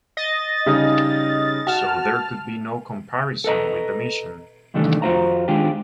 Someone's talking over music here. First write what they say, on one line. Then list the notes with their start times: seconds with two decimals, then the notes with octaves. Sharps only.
So there could be no comparison with The Mission.
0.17 D#5 A6
0.66 C#3 G3 D#4
1.67 F#4 A5 F6
3.44 A4 B4 D#5 A#5
4.74 C2 D#3 E3 G3 A3 D4
5.02 F2 F4 F#4 C5 F5 A#5
5.48 D#3 G#3 D4 F4 G4